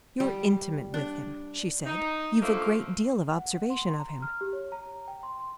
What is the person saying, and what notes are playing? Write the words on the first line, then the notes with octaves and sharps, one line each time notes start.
"You're intimate with him," she said; "you've a great deal of observation of him."
G3
D4
D#4
D3 F3 A3 A#3
F#5
F#5
C6
A#5
F6
G4
C#5
A#5
G5
C6